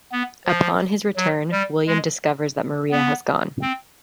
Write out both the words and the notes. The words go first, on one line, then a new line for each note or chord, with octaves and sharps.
Upon his return William discovers that Maria has gone.
B3
F3
F#3
G3
G#3
B3
C4